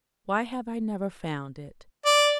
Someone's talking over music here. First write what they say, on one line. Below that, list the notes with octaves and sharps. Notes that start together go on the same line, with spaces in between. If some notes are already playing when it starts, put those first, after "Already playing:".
'Why have I never found it?'
D5